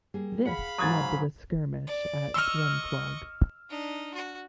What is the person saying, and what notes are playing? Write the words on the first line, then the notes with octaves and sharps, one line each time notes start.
This led to the skirmish at Drumclog.
G3 A#3 G#4
G#4 F5 F#5 B5
G#2 F#3 D#6 G#6 A6
D5
D#5 C#6 E6 F6
D4 D#4
F#4